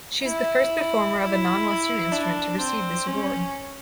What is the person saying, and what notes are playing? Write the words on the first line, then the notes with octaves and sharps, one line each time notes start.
She is the first performer of a non-Western instrument to receive this award.
E4
E4
D4
C4
C#4